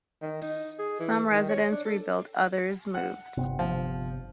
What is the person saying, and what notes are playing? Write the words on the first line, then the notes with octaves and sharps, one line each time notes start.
Some residents rebuilt, others moved.
D#3
D#4
G#4
E3
D#3
C#5
D4
A4
F#5
G1 C3 B3
F3